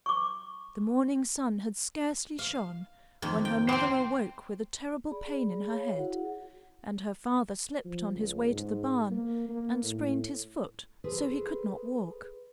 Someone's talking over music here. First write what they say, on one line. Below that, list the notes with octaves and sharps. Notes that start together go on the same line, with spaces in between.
The morning sun had scarcely shone when her mother awoke with a terrible pain in her head, and her father slipped on his way to the barn and sprained his foot so he could not walk.
C#6 D6
F5
F2 D#3 A#3
G5
A#3 C5 G5 C6
G#4 D5 B5
C#5 F5
E4 F#4 G#4 F#5
F3
C#2
G#2
A#3
A#3
A2
G#4 A4 B4 C5